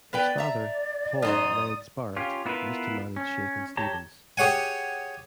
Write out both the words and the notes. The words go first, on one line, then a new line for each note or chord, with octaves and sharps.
His father, Paul 'Legs' Barrett, used to manage Shakin' Stevens.
B3 B4 D5 G5
E5 A#5
F#2 D#4 C5 D#6
C#4 F4 G4
B3 E4 F4 A#4 B4
C#4
G4 C#5 A5 A#5
G4 G#4 C#5 F#5 G#5